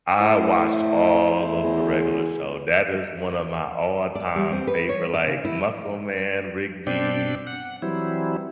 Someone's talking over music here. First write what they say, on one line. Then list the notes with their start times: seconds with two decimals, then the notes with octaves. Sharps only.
I watched all of the Regular Show, that is one of my all time favorite, like, Muscle Man, Rigby,
0.20 A2 A3 E4 C5
1.64 E2 G#4
4.15 D5
4.36 G3
4.52 C4
4.67 B4
4.89 C#5
5.14 D5
5.27 C#3
5.45 E4
6.87 B2 C4 D4 D5 G5
7.47 F#5
7.82 E3 F#3 G3 C4 E4